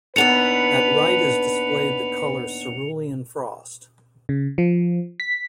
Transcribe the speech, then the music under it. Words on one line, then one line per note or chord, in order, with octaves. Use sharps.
At right is displayed the colour cerulean frost.
D#2 B3 D4 B4 C#7 F7
C#3
F3
B6